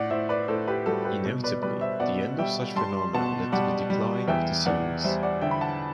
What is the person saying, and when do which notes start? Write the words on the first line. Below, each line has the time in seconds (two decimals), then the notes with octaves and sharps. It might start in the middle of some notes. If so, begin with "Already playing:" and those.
Inevitably, the end of such phenomena led to the decline of the series.
Already playing: A2 D5 F#5
0.10 A2 C5 E5
0.29 B4 D5
0.48 A2 A4 C5
0.67 G4 B4
0.86 G3 F#4 A4
1.05 G4 B4
1.25 B2
1.44 B4 D5
1.62 G3 B4 D5
1.81 C5 E5
2.00 B2 D5 F#5
2.38 G3 E5 G5
2.76 G3 A5 C6
3.14 B2 F#5 A5
3.52 G3 D5 F#5
3.90 G3
4.28 E2 E5 G5
4.66 E2 D5 F#5
5.04 G3 C5 E5
5.23 D5 F#5
5.41 D3 E5 G5
5.51 B5
5.61 F#5 A5